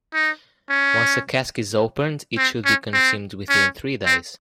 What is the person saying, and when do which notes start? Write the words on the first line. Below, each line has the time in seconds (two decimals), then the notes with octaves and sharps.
Once a cask is opened, it should be consumed within three days.
0.14 D#4
0.70 C#4
2.38 C4
2.66 C#4
2.93 C4
3.49 C#4
4.06 C4